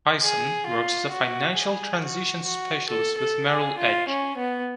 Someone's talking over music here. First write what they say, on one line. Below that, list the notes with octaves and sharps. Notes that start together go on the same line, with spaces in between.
Hyson works as a financial transition specialist with Merrill Edge.
G#4
F4
F#4
G#4
F#4
F#4
A4
A4
G#4
F4
C#4
B3